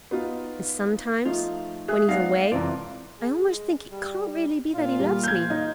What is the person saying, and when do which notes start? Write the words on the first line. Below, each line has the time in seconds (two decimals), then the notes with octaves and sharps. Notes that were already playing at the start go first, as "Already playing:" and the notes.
And sometimes, when he is away, I almost think it can't really be that he loves me.
0.11 B3 D#4 F4
1.25 F3 A3 D#4 F4
1.88 G#4 E5 F#6
2.09 G#3 B3 D#4 D5 F5 F#5 C7
2.52 C2 F2 C3 E3 F4 D5 A#5
3.18 G#3
3.90 G3
4.74 A#2 F4 F5
4.99 G3
5.24 G6 G#6
5.50 D#4